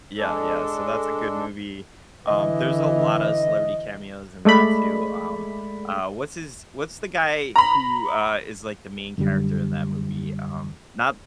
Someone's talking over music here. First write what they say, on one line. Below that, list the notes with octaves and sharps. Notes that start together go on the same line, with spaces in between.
Yeah, yeah, so that's a good movie, um, there's a lotta celebrity cameos in that too, um, uh, what's his what's the guy who, uh, is, like, the main character in that movie, um, not
G#3 D4 A4
D3 E3 D#5
G#3 A3 D5 B5
A#5 B5
F#2 D3 G3